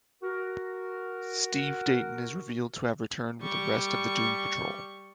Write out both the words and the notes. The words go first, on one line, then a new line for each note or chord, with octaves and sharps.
Steve Dayton is revealed to have returned with the rest of the Doom Patrol.
F#4 A#4
G3 C#6